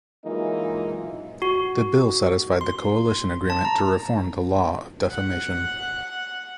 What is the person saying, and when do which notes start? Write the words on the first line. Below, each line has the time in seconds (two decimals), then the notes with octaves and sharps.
The bill satisfied the coalition agreement to reform the law of defamation.
0.24 E3 F#3 G#3 A#3 D#4 F4
1.42 F#4
2.61 C6
3.50 A5
3.65 A#5
5.11 F#5